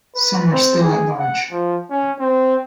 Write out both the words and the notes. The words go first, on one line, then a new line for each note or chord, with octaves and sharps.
Some are still at large.
B4
C4
G#4
F#5
F3
C#4
C4